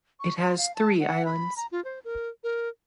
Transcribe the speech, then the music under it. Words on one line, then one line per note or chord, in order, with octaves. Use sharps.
It has three islands.
C#6
C6
F5
A5
F#5
B5
A#5
F4
C5
A#4
A#4